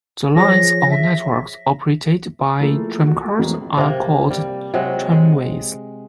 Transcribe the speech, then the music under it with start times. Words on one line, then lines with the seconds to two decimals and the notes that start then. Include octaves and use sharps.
The lines or networks operated by tramcars are called tramways.
0.36 F3 G#4 C#5 A#6
0.90 E5
2.61 F3 A3 A#3 E4 G#4 A4
3.07 F#4
3.38 F2 A2 E3 F#3 G#3 A#3
3.77 C3 A#3
4.31 G3
4.74 C3 F#3 G#3
5.12 G#3